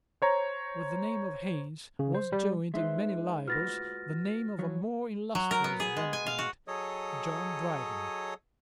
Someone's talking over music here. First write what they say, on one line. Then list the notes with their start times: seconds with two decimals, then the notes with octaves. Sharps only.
With the name of Haines was joined, in many libels the name of a more illustrious renegade, John Dryden.
0.22 C5 C#5 A#5
1.99 C#3
2.15 C5
2.32 G3
2.74 G#3 D#4 B4 C5 E5
3.48 F4 F#4 B4 F6 A6 A#6
4.59 F3 F#3 C#5
5.35 F#3
5.51 A#4
5.64 B3
5.80 G#4
5.97 G#3
6.13 G#5
6.26 F5
6.39 F#4
6.68 F#3 G#4 A4 C#5 D#5 D#6